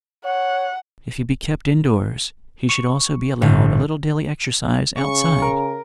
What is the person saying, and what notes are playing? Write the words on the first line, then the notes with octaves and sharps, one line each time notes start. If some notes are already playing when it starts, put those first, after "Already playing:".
If he be kept indoors, he should also be allowed a little daily exercise outside.
C#5 F#5
C#6
G1 A2
C#3 C#6
A#4